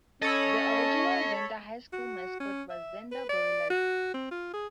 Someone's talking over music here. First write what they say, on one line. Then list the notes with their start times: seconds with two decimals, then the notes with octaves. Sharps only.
The original Zenda High School mascot was Zenda Gorillas.
0.22 C#4 A4 C#5 D#5 B5
1.93 F#4
2.40 C#4
2.70 E5
3.12 B4
3.29 D5
3.70 F#4
4.14 C4
4.31 F4
4.53 G#4